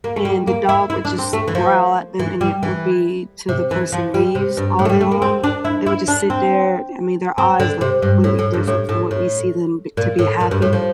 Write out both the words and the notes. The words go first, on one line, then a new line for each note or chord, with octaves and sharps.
and the dog would just growl at them, and it would be till the person leaves all day long. They would just sit there I mean, their eyes look completely different from what we see them b to be happy,
A#3
A3
G3
A#3
E4
E4
D4
C4
A3
E3
F3
E3
G3
E3
C3
E3
F3
G3
C3
G2
A2
A3
G3
A3
A#3
C4
D4
E4
E4
D4
C4
C4
D3
C3
G2
A2
A2
G2
A2
A2
A2
A#2
A2
A#2
G2
A2
F3